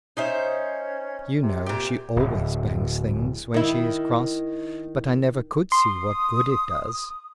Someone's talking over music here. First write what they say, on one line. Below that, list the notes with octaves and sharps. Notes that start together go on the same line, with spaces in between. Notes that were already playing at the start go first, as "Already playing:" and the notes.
You know she always bangs things when she is cross, but I never could see what good it does.
C#4 D#4 C5 E5
C3
A#2 G4
D1
D#3 E4
C6 D#6